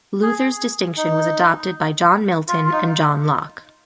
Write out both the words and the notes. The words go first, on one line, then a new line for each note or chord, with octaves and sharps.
Luther's distinction was adopted by John Milton and John Locke.
G#4
D#4
F4
F4
D#4